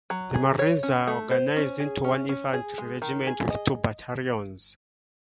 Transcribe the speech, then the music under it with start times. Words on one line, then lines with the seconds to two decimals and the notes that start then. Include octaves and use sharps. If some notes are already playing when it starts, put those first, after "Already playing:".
The marines are organized into one infantry regiment with two battalions.
0.10 F#3
0.34 G#4
0.59 C#5
0.83 C#4
1.07 A3
1.31 C5
1.56 C#4
1.80 G#4
2.04 C#4
2.29 C#4
2.53 G#4
2.78 G#3
3.02 D#3
3.27 G#4
3.50 D#5